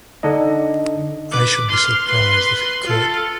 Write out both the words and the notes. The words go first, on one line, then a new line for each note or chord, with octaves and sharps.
I should be surprised if he could.
D3 D4 D#4 D#5
B4 D6
C6 F6
B4 C6
F4 A4